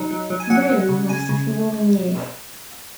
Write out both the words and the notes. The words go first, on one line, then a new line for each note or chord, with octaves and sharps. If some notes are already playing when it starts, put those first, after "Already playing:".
Roe left the following year.
Already playing: F#3 D#4
F#3
F#3
G#5
F#3 F#5
F#3
C#3
C#3 G#5
C#3